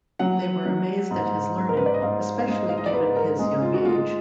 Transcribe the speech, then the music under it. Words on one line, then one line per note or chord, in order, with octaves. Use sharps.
They were amazed at his learning, especially given his young age.
F#3 F#5
F#3
G#2
G#2
A#4
B4
D5
D#5
G#2 F5
F5
G#3 D#5
F5
D#5
D5
G#2 B4
A#4
G#3 G#4
F4
F#4
G#3 F4